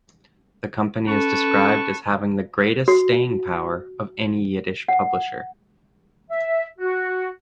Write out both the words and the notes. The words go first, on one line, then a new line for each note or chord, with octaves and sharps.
The company is described as having the greatest staying power of any Yiddish publisher.
C#4 A4 B4 A5 C#6
F#4
F#5
E5
F#4